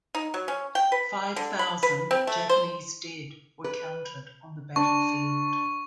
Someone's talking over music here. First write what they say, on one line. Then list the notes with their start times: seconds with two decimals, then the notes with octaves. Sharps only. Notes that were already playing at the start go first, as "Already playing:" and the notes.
Five thousand Japanese dead were counted on the battlefield.
0.15 D#4
0.34 F#3
0.48 C#4
0.75 G5
0.92 B4
1.36 D3
1.59 B5
1.83 B4
2.11 C4
2.27 A3
2.49 C5
3.64 B4
4.76 D4 C#6